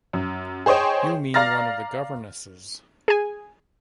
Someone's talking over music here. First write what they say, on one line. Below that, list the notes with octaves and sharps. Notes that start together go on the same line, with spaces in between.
You mean one of the governesses.
F#2
G#4 C5 C#5 D#5 G5
D5 F5 A#5 F6 A6 A#6
G#4 G#5